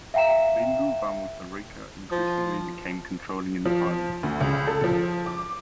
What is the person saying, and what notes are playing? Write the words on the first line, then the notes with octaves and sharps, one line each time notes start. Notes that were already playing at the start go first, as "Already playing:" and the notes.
Bingu wa Mutharika increasingly became controlling in the party.
E5 F5 G5 A#5 E7
F3
F3
D2
C#2
A4
F3
D6